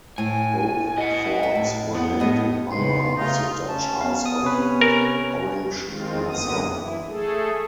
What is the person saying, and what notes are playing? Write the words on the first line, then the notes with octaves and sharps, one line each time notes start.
Both forts were named in honor of the Dutch House of Orange-Nassau.
A2 G#5
D#5 F#5
A4
A2
B3
A2 D#5
C#3 B3 D#4 C6
C#3 A3 D#4 F4
C#4 A5
B3 F5
D#6
C3 C#4 B4 C#5
A#4
D#3 G#3 C4 F4
F#2 D3 A#3 B3 D#6
E3 E4
A3 G#4 A4